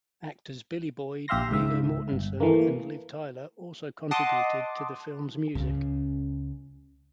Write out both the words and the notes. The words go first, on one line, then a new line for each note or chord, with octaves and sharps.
Actors Billy Boyd, Viggo Mortensen and Liv Tyler also contributed to the film's music.
A#1 G4 E5 F5 C6 A#6
C#2 G#2 E5
G1
E3 A3 A#3
D#5 F#5 A5 C6 D6 D#6
C#2 C#3